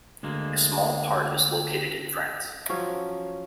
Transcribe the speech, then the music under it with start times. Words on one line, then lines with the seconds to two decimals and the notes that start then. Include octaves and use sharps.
A small part is located in France.
0.23 D2 G#3 A#3
2.69 F3 F#3 C#4